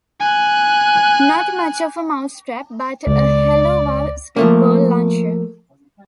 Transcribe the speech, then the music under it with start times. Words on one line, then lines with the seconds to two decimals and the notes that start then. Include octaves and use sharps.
Not much of a mousetrap, but a helluva spitball launcher...
0.20 G#5 F#6
3.07 C#2 D5
4.36 F3 A3 A#3